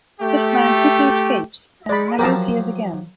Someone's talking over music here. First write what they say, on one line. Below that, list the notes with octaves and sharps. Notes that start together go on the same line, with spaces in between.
This man quickly escapes and never appears again.
A3 G4
G#3 D5 B5
F3 F#3 G4 A#4 A5